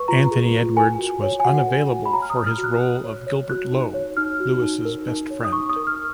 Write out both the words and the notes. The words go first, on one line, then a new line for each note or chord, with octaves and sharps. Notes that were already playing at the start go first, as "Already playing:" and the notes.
Anthony Edwards was unavailable for his role of Gilbert Lowe, Lewis's best friend.
Already playing: B4 C#6
F4 A#5
G#4
F4
A#4 G#5
F#4
C#5
G#5
F#4 F#5
A#4
F#4
B5
C#5 A#5
F6
D#6
C#5
F6
F#4
F#6
F#4 F#6
C#5
C#5
F#4 F#6
D#4
C#5
D#4 F6
F#4
D#4
A#4
D#4
C#5
D#6
D#4 C#6
D#6
A#4
F6